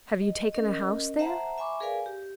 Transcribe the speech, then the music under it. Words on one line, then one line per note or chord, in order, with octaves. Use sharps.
Have you taken a house there?'
D#5
C#4 A#4 D#5
C5 E5 F#5 A5 A#5
E5 G#5 B5 C#6 D6
G#4 A#4 B4 D5 F5 G#5
G4